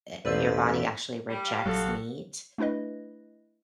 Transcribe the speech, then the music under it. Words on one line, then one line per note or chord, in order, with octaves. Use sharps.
uh, your body actually rejects meat.
A1 E2 B2 E3 B4 C5 D5 E6
G3
F5
A#1 F2 F#3 G3 F#4 A4
A3 D4 E4 B4 D#5